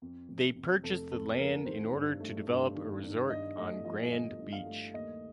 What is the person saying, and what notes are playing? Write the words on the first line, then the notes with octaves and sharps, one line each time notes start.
They purchased the land in order to develop a resort on Grand Beach.
F2
F1
C3
F1 A4
F2 A4
F1 A#4
D#3 C5
G2
A3
G2
D#3
G2
G2 D#5
A3 D#5
F3 D#5
G1 D#5
G2
F5
A3
D#2 D#5